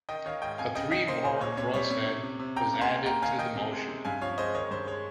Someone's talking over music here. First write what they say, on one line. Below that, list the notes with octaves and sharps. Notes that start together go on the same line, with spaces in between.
A three bar crosshead was added to the motion.
D#3 D#5 G5
D#3 C#5 F5
G#2 D#5 G5
F2 F5 G#5
C#3 D#5 G5
C#3 D#5 G5
A#3 C5 D#5
A#2 C5
A#2 C#5
C3 C#5
G3 C#5
C3 C#5
C3
C3
C3
C#3 G5 A#5
A#3
G#5 C6
A#3
A#3 G5 A#5
D#3 F5 G#5
D#3 D#5 G5
C3
G#3
C3
G2 F5 G#5
F3 C#5 F5
G#3 C5 D#5
D#3 C#5
G2 C5
G#3 C#5